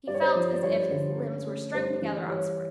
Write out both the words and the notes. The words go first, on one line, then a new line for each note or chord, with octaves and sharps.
He felt as if his limbs were strung together on springs.
G2 D5
C#5
C5 D5
F3
D5
G2 C#5
D3
C#4
A3
G2 C5
E3
G3 C#5